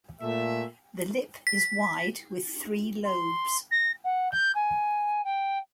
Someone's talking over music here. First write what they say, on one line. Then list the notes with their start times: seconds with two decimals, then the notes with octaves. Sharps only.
The lip is wide with three lobes.
0.22 A#2 A3 E5
1.47 B6
3.05 C6
3.71 A#6
4.04 F#5
4.31 G6
4.55 G#5
5.24 G5